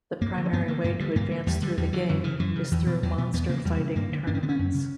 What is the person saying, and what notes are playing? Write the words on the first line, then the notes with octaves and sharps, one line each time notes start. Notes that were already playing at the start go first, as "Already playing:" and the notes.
The primary way to advance through the game is through monster fighting tournaments.
G2 A#3
D3
G2 B3
D3 A#3
G2 A#3
D3 G3
G2 A#3
D3
E2 G3
D3 G3
E2 G3
D3 F#3
F#2 D3
C#3 E3
F#2 E3
C#3
E2 E3
B2
E2 F#3
B2 B3
E2 B3
C#3 A#3
E2 G3
C#3
G2 A#3
D3
G2 D4
C#4
D3 B3
C#4
F#2
C#3